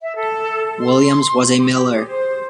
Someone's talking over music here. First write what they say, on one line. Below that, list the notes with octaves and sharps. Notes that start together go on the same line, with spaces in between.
Williams was a miller.
E5
A4
C6
G4
G#4
C5